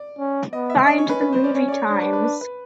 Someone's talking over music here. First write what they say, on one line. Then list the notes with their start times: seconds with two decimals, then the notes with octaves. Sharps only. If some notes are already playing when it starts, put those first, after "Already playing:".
Find the movie times.
Already playing: D5
0.18 C#4
0.52 B3 D#5
0.70 E5
0.87 C#4 D#5
0.98 C#5
1.09 B4
1.21 B4
1.32 C5
1.44 D5
1.55 C#4 C#5
1.68 D5
1.72 C#5
1.90 D4 C5
2.01 B4
2.13 B4
2.24 B4
2.41 B4